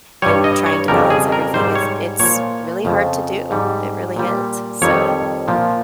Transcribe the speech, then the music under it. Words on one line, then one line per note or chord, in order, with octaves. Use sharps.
and trying to balance everything is it's really hard to do, it really is, so,
G2 G3 C#5
D#5
C#5
F2 C#3 G3 A#4
G#4
A#4
G#2 G3 C5
C#5
A#2 F3 C#5
F2 C#3 F3
G#2 G3
A#2 G3
F2 D#3 G3 C#5
A#2 F3